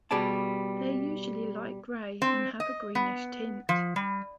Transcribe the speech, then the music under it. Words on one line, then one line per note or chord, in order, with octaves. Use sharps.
They are usually light gray and have a greenish tint.
B2 G3 G#4 D5 A5
C4
D#5
B3
F3
G3